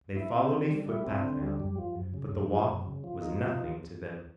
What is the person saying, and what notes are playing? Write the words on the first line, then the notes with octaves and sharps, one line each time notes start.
They followed a footpath now, but the walk was nothing to them.
E4
C4
D3
G3
E4
C4
D3
G3
F#2
F3
F#2
C#3
F#2
F3
F#2
C#3
F3
D#4
F3